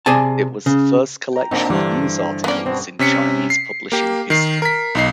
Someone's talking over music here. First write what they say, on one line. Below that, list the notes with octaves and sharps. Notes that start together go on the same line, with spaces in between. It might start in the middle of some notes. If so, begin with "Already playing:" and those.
It was the first collection of news articles in Chinese publishing history.
C3 G#4 D5 G#5 A5
C#3
G5 A#5
A#2 A#3 C4 D4 D#4
G2 D3 E3 C5
A#3 B3 C#4 D5
B2 C4
C3 C#4 B6 C#7
C7
A#3 G4
D#3 C7
A#4 B6
B1 D#4 C7